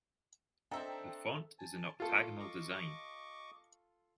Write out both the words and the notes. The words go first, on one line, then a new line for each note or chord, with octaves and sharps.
The font is an octagonal design.
C4 D4 A4 C5 D#5 E5 G5 A#5
G#5 A5
A3 A#3 F4 A4
D#5 C#6 D6